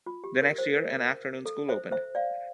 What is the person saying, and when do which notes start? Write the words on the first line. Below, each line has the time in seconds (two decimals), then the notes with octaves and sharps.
The next year, an afternoon school opened.
0.06 F4
0.24 G4
0.42 A#4
0.58 C5
0.77 A#4
1.46 A4
1.69 C5 E5
1.91 C5 E5
2.15 D5 F5